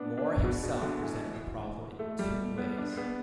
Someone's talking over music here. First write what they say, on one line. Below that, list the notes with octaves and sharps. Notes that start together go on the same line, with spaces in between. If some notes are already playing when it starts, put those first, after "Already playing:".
Moore himself presented the problem in two ways.
Already playing: B3 D4
D4
B2
B2
D3
E3
A3
G3
B3
D4
B3